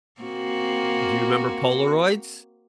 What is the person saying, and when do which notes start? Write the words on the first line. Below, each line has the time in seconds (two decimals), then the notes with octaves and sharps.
Do you remember Polaroids?
0.21 A#3 C4 F#4